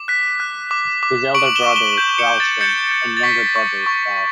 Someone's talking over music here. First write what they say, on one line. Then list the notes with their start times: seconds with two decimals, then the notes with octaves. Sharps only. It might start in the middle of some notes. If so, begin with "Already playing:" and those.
His elder brother is Ralston and younger brother is Ralph.
Already playing: D6
0.08 F#6 B6
0.40 F#6
0.71 D6
1.03 D6
1.34 C#6 D7 F#7
1.46 F#7
1.55 E7 G7
1.66 C#6
1.76 E7 G7
1.98 G6
2.18 C#7 E7
2.29 C#6
2.40 A6
2.61 G6 A6 C#7
2.91 G6
3.17 A6
3.23 C#6 B6
3.56 C#6
3.86 C#6